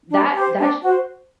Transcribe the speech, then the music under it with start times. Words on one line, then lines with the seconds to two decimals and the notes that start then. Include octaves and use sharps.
that that sh
0.10 D4
0.33 G4 C5
0.58 D4
0.82 F#4 C5